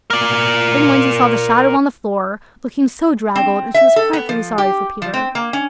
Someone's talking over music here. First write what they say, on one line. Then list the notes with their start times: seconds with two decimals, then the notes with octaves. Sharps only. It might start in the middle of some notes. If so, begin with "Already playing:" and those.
Then Wendy saw the shadow on the floor, looking so draggled, and she was frightfully sorry for Peter.
0.10 A#4 D5
3.35 C4
3.74 E5
3.96 A4
4.13 B3
4.29 F3
4.58 G4
5.02 F3
5.14 C4
5.35 A#3
5.53 C#4